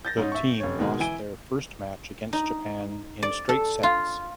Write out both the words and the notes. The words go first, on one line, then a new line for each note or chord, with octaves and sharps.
The team lost their first match against Japan in straight sets.
G6 A6 A#6
G#2 C#4 D#4
E5 C#6
F1 C#5
B2 D#3 G#3
E3 E4 G#5 D7 G7
D#4
D5
A4
F4